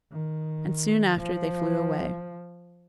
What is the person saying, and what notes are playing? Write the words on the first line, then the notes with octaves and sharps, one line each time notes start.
And soon after they flew away.
D#3
F3